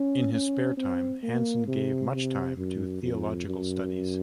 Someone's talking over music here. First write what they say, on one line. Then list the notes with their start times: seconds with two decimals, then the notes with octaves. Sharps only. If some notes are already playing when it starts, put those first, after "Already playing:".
In his spare time Hanson gave much time to theological studies.
Already playing: C#4
0.33 C#4
0.77 C4
1.23 A#3
1.68 C3
2.13 C3
2.57 F#2
3.02 F2
3.47 F#2